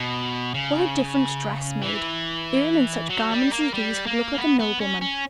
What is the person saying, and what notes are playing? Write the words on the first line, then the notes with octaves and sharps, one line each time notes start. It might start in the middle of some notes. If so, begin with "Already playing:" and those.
What a difference dress made. Earle, in such garments as these, would look like a nobleman.
Already playing: B2
C#3
E3
F#3
G3
A#3
G3
A#3
B3
B3
C#4
C#4